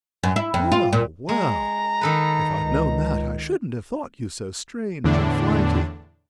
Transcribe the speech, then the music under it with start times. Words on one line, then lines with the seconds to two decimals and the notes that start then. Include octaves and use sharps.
Well, well; if I'd known that, I shouldn't have thought you so strange and flighty.
0.23 F#2
0.36 E4
0.54 F2
0.72 F4
0.93 A#2
1.29 G#3 A#5
2.01 D#3 A4 B4
2.58 C#2
5.04 E2 A2 D3 D4